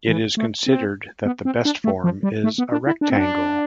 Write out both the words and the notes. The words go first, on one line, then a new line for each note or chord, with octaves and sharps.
It is considered that the best form is a rectangle.
E3
A3
C4
B3
C4
D4
A3
F3
G3
A3
B3
D4
E4
D4
C4
D4